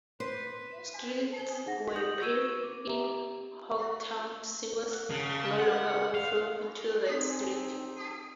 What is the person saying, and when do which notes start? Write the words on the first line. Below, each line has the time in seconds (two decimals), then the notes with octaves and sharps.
Streets were paved in hog town, sewers no longer overflowed into the dirt streets.
0.20 B4 C5
1.38 C5 G7
1.66 D#4 G#4 F#5 A#6
1.95 D#4 D#6 G6 A#6 F#7
2.21 F#4 C#6 E6 G#6 D#7 E7
2.63 D6
2.86 G4 E5 A#5
5.10 C#3
5.58 F#5
6.15 F5
7.07 C4 D#4